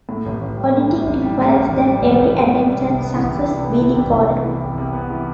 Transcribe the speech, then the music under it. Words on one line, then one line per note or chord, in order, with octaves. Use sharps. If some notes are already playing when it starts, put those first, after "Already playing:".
Auditing requires that every attempt at access be recorded.
A2
A1
A1
G3
A2
A1
A1
G3
A2
A1
A1
G3
A2
A1
A1
G3
C3
C2
B3
E3
C3
C2
B3
E3
C3
C2
B3
E3
C3
C2
B3
E3